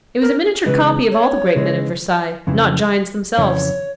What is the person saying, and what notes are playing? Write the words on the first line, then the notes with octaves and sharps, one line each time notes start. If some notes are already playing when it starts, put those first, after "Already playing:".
It was a miniature copy of all the great men of Versailles, not giants themselves.
A#4
C#3 E3 G#3 B4
C#5
C#3 E3 G#3
F2 C#3 E3
F2 C#3 E3 C#5